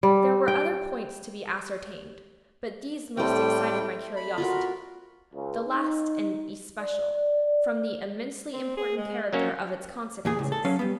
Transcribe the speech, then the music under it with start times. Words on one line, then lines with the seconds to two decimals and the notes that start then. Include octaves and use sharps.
There were other points to be ascertained, but these most excited my curiosity--the last in especial, from the immensely important character of its consequences.
0.03 G3
0.48 G5
3.17 A2 G3 A3 C4 G5
4.16 B5
4.38 F4 F#4 A#4
5.34 C#2
5.67 D#4
6.81 D5
8.53 C4
8.77 G#4
8.97 G#3
9.33 F#3 A#3 C#4 C#5
10.25 E2 A#2 G#4
10.39 C#2 A2
10.52 A4
10.65 F#3 C#4 F5
10.79 G3 B3